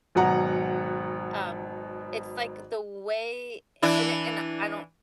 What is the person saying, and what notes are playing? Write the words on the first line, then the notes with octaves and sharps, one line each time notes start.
um, it's, like, the way and and I don't
G#1 B2 F#3 F#5 A#5
E3 D4 E4